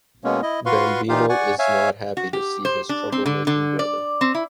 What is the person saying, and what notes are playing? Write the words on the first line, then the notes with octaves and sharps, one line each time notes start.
Bambino is not happy to see his trouble-making brother.
B2 G#3 A#3 B3 C#4
E4 D#5
F4 F#4 B4 F5 C6 C#6
A#2 E3 D#4 F4 G4 F5
D5 F#5 G#5 C#6
C#5 E5 F5 G#5
F#4
G4
C5
D4
C4
D3
D3
D5
C4
E4